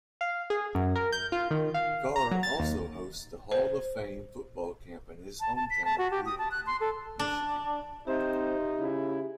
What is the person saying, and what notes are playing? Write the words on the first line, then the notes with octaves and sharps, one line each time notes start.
Carr also hosts the Hall-of-Fame Football Camp in his hometown of Riverview, Michigan.
F5
G#4
F#2
A#4
G6
F4
D#3
F5
A#5
F#3
A6
D#2
C5
A5
A5
B6
A5
F#4
G4
D#6
A5
F#6
C6
A4
D4
C4 D#4 G4 C5 E5
C#3 E4